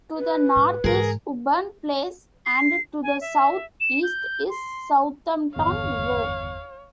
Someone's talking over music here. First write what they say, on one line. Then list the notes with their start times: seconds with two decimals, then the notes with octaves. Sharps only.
To the north is Woburn Place and to the south-east is Southampton Row.
0.16 B4
0.56 G#2
0.84 G#2 E3 G#4 A#4
2.46 C7
3.03 G#5
3.21 E5
3.80 E7
4.03 G6
4.50 C6
5.56 G1 E2 C#5 F5